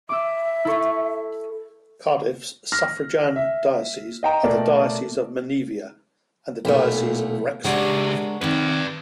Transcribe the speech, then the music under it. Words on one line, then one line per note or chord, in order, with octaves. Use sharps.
Cardiff's suffragan dioceses are the Diocese of Menevia and the Diocese of Wrexham.
E5 D6 E6
E4 A4 C#6
F6 A#6
E5
D#5 G5 A#5
B2 A3 A#4 D5
B1 A#2 A3 E4
C#3 G#3 D4 F#4 G4 A#4 C#5
C3 D#3 B4 D5